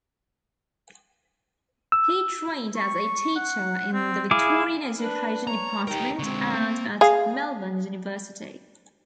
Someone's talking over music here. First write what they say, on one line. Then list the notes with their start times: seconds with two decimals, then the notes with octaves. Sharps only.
He trained as a teacher in the Victorian Education Department and at Melbourne University.
1.92 E6
2.76 C#6
3.36 F#5
3.93 C4
4.31 E4 G#4 F5 D6
4.99 D4 B4
5.47 C#5 A#5
5.87 D#4 G4 A#4 G5
6.19 D3 G#3 C4 C#6
6.55 A#3
7.01 G#4 F5